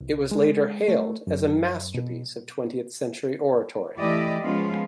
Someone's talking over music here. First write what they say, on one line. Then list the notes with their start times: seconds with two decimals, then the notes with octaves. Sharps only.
It was later hailed as a masterpiece of twentieth century oratory.
0.01 C2
0.31 G#3
0.88 A3
1.27 F#2
1.94 B2
3.96 E3 A3 E4 G4 D5 D#5
4.42 F3 G#3 B3 C#4 F4